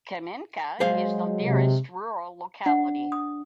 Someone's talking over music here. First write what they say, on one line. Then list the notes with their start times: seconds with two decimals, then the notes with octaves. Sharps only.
Kamenka is the nearest rural locality.
0.80 F#3 G#3 G#4 C5 F5
1.42 C3
2.66 D4 F#5
3.12 D#6